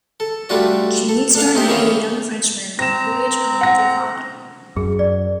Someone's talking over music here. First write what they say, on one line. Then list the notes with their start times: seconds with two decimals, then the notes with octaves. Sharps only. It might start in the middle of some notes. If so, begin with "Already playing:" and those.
She meets Darnay, the young Frenchman, on the voyage home with her father.
0.20 A4
0.49 G3 A3 D4 F4 F#4 D5
1.09 A4
1.35 D4 A4 F5 F#5
1.55 A3 D#4 G4 C5
1.68 E2 D#3 E3 A#3 C#4 F5
2.79 C4 A#5 A#6 E7
3.61 F#5 A#6
4.76 F#2 G#4
4.99 D5